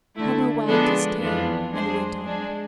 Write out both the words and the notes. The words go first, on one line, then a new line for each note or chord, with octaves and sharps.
Homo wagged his tail, and went on.
D3 A3 E4
F3 G#3 B3 D4 A4
F2 E3 B3 D4 F4
G#3 D4 G#4 C5
G#3 D4 G#4